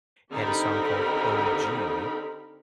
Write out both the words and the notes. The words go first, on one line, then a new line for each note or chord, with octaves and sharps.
had a song called OG,
D3 C4 D#4 G4 A#4 B5